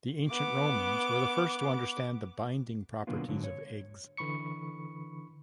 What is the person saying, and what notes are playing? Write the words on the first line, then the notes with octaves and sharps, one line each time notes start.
The Ancient Romans were the first to understand the binding properties of eggs.
B3 D6
B2 D3 F#3 A#3 B3 F4
G#2 D3 F#3
C#5
D3 E3 B5 C#6 C#7